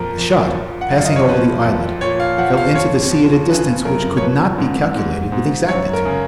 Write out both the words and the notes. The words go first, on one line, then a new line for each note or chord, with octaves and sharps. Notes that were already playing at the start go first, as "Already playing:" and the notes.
The shot, passing over the islet, fell into the sea at a distance which could not be calculated with exactitude.
Already playing: F2 A#2 A#4
F2
F3
F#5
F#2 F5
D#5
C#5
F3 B4
F2
A#2 C#5
F5
F3 F#5
F5
F2 C#5
F3
C#3 B4
F#2 A#4
C#5
F3 B4
G#2
G#2
G#2
F#2 C#5
A#4
C#3